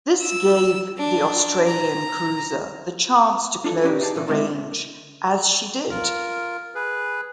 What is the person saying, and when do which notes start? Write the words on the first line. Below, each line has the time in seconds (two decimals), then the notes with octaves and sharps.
This gave the Australian cruiser the chance to close the range, as she did.
0.21 E6
0.98 D4
1.67 A#5
3.64 D4 F4 A4
3.83 C#4 D4 G4 A#4
4.01 D#4 G4 G#4 A5
4.15 A#2 E3
4.27 D2 C3 G#3 E4
5.90 F4 A#4
6.75 G#4 B4